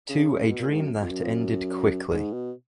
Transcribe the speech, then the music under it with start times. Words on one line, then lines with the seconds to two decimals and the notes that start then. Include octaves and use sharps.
To a dream that ended quickly.
0.09 C#3
0.49 B2
0.60 A#2
0.70 G#2
0.81 F#2
1.01 F2
1.11 F#2
1.22 F2
1.32 F#2
2.13 G#2
2.33 B2